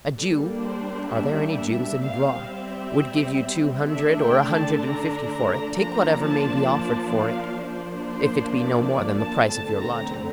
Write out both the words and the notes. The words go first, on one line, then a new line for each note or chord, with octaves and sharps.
A Jew--are there any Jews in Blois?--would give you two hundred or a hundred and fifty for it--take whatever may be offered for it, if it be no more than the price of your lodging.
G3 A#3 D4 A4
C5
E5
E5
G3 C4 F5
E5
D3 A3 D4 E5
G5
A5
A#5
A#5
F3 A#3 D4 A#5
A5
A5
F5
F3 A#3 D4 C5
C5
D5
D5
A5
D3 A3 C4 A5
A#5